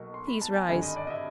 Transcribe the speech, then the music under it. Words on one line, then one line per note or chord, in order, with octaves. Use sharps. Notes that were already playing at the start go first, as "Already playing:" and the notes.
Please rise.
Already playing: B1 B2 F#3 A#3 C#6
C6
B5
A5
G#5
G#1 G2 D3 G#5
D#5
D5
D#5
E5